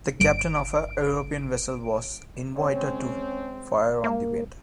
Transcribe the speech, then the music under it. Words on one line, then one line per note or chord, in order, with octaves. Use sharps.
The captain of a European vessel was invited to fire on the wind.
G1 D7
G#3 C4 C#4 C#5
A#3